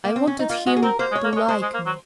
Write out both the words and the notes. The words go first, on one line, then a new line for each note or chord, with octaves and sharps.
I wanted him to like me.
A#3
C4
C#4
D#4
A#3 F4
G#3 F#4
G#4
C4 A#4
A#3 C5
G#3
C#5
A#3
G#3 C#5
G#3 C5
G#3
A#3
F#3